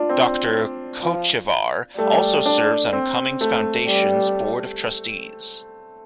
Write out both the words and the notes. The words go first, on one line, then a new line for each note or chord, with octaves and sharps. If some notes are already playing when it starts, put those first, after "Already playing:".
Doctor Kochevar also serves on Cummings Foundation's board of trustees.
Already playing: D4 F4
C4
F3
G3 A3
D4
C4
A3
G3